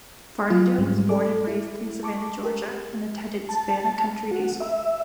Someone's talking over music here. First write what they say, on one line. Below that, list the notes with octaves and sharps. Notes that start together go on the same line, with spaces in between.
Varnedoe was born and raised in Savannah, Georgia, and attended Savannah Country Day School.
F#3 F4
G#2 G3 G#3
A4 D5 D6
E4
A5 C#6 D6
G4 A#4
A5
F#4
E5